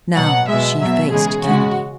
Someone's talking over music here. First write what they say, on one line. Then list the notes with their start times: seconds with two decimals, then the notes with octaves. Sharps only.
Now she faced Kennedy.
0.16 B2 F#3 F#5
0.48 B2 G#3 E5
0.80 B2 F#3 E5
1.11 C#3 E3 G#3 G#4
1.43 C#3 G#3 F#4